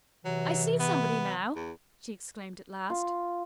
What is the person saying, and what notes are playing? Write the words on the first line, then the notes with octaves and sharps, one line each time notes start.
'I see somebody now!' she exclaimed at last.
C3 E3 F#3
B3
E2
F4